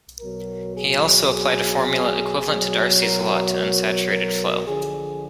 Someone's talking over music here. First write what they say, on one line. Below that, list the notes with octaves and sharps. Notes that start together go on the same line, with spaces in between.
He also applied a formula equivalent to Darcy's law to unsaturated flow.
B2 F#3 A#4
G#4
G#4
B2 F#3
A#4
A#4
A#4
D3 F3 G#4